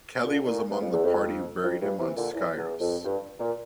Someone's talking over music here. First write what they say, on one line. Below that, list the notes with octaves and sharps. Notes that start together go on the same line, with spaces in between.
Kelly was among the party who buried him on Skyros.
A#2 D3
A#2
G2
F2
E2
F2
F2
G2
C3 E3
A#2 D3
E2
E2
F2
G2
A#2